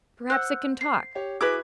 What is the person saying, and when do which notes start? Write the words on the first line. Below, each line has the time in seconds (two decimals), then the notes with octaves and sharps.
"Perhaps it can talk."
0.30 C5 F#5 E6 F#6
0.81 C7
1.15 G4 C#5
1.41 E4 F#4 G#4 B4 D6 G#6